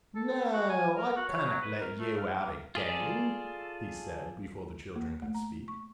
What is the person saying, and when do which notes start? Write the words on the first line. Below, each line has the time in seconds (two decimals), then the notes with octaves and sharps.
"No, I ca'n't let you out again!" he said, before the children could speak.
0.15 A4
0.53 F#4
0.70 G#5
0.96 A#4
1.16 F#4
1.28 C#5
1.47 F#3
1.62 B4
1.80 A#4
1.99 A3
2.17 F5
2.38 A#3
2.75 F4 G#4 A4 D5
4.96 A#3
5.22 A3
5.35 A#5
5.68 C#6